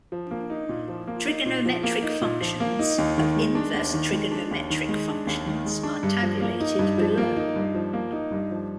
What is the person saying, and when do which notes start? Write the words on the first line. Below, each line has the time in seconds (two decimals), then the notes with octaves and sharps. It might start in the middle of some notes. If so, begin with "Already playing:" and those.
Trigonometric functions of inverse trigonometric functions are tabulated below.
0.12 F3
0.31 A#3
0.50 D#4
0.69 A#2
0.88 F3
1.07 A#3
1.27 D#4
1.46 A#2
1.65 F3
1.83 A#3
2.03 D#4
2.21 A#2
2.41 F3
2.60 A#3
2.79 D#4
2.98 D#2
3.18 D#3
3.36 G#3
3.55 D4
3.74 D#2
3.94 D#3
4.12 G#3
4.32 D4
4.51 D#2
4.70 D#3
4.89 G#3
5.08 D4
5.27 D#2
5.46 D#3
5.65 G#3
5.83 D4
6.03 G2
6.22 F3
6.41 A#3
6.60 D#4
6.79 G2
6.98 F3
7.18 A#3
7.36 D#4
7.56 G2
7.75 F3
7.93 A#3
8.12 D#4
8.32 G2
8.51 F3